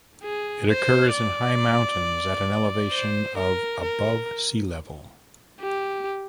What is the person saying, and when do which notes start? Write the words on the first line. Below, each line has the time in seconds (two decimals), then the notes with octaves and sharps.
It occurs in high mountains at an elevation of above sea level.
0.23 G#4
0.68 C5
1.13 D5
2.92 C5
3.37 A#4
3.82 A#4
5.60 G4